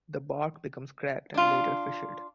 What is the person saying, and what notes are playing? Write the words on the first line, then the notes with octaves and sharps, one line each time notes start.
The bark becomes cracked and later fissured.
D4 F4